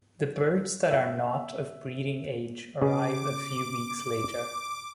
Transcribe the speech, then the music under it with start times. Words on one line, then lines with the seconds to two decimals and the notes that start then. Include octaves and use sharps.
The birds that are not of breeding age arrive a few weeks later.
0.91 E5
2.82 C#3 G#4 D6